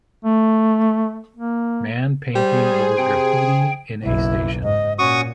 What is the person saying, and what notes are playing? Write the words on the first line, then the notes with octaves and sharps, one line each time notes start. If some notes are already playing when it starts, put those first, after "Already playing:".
Man painting over Graffiti in a station.
A3
A#3
G3 G#4 C5
C3 G5
F#1 B1 E4
G#2 D#5
A#2 C#4 F#4 C#6 D#6